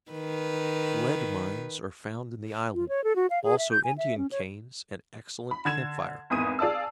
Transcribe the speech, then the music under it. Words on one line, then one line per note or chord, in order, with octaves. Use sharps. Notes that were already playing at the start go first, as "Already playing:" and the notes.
Lead mines are found in the island; also Indian canes and excellent camphire.
D#3 B4
F4
C#5
A4
F#4
F5
G#4
E5
G6
G#5
E5
C#4
C#5
B5
D3 G#6 E7
G#1 E2 D#6 D#7
G#4 D5 F5 A5 E6